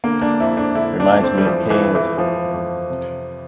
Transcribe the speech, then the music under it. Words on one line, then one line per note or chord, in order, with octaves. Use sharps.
Reminds me of Cannes.
D3 A#3
D4
F2 E4
D4
D3 E4
D4
F2
C4
G3
E3 F3
E3
F2
E3
E3 F3
F2
C3